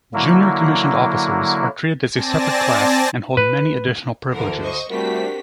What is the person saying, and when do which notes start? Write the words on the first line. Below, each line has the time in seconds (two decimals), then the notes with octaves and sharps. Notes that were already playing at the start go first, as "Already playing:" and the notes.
Junior commissioned officers are treated as a separate class, and hold many additional privileges.
0.14 D3 F#3 A#3 E4
2.12 C4 D5 G#5 A5 A#6
3.37 B4
4.30 D2 D3 E3 A#4
4.61 C5 D#5 C#6
4.90 C3 G3 A3 D4 F#4 G4 A#4 B6